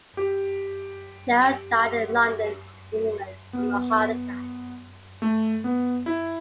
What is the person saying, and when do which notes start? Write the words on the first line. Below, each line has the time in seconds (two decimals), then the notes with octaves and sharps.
Neill died in London, England, from a heart attack.
0.17 G4
3.53 B3
5.22 A3
5.64 B3
6.06 E4